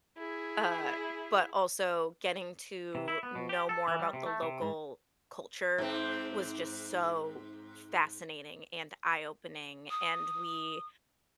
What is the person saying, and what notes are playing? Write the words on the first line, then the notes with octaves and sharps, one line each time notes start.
Uh, but also getting to know more about the local culture was just so fascinating and eye-opening. And we,
E4 G#4
C3
E4
B3
B2
G4
A4
E3
G3
C3
A3
C3
G#2
G#2 C4
D#6